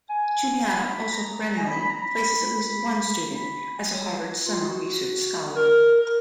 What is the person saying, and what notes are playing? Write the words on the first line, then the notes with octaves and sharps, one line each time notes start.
Juniata also perennially places at least one student as a Harvard Summer Research Scholar.
G#5
B5
A#5
G#5
B5
B5
A#5
B5
B5
B5
G#5
C#5
F4
F#4
A#4
A#4